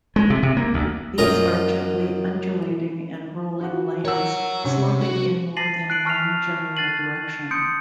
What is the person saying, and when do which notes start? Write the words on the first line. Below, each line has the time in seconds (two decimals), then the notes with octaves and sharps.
These are gently undulating and rolling lands sloping in more than one general direction.
0.16 G#3
0.30 C3
0.43 C3
0.57 A#3
0.74 D2
1.18 F#2 F4 A#4 D#5 A#5
3.61 F4 F#4
4.05 A#4 C#5 F#5 E6
4.65 C3 C#4
5.01 F#4
5.57 A5 A6 A#6 C7 D#7 F#7
5.90 F#6 A6 C7 D7 F#7
6.05 A5 C#6 F6 B6 C7 F7
6.77 F#6 A6 C7 D#7 F#7
7.51 C6 D#6 G6 C#7 D7